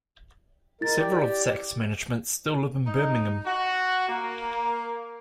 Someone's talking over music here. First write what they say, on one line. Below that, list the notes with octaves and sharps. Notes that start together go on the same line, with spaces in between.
Several of Saks' management still live in Birmingham.
G#3 E4 A#4 A6
G4 D5 G5
D#4
F#4
A#3